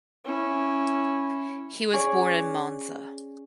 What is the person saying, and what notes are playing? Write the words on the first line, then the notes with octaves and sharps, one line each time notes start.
He was born in Monza.
C#4 E4
C#4 G#4 C#5 D5